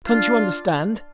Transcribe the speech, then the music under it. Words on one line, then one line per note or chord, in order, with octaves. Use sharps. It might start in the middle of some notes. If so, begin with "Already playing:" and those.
Can't you understand?
D4 F4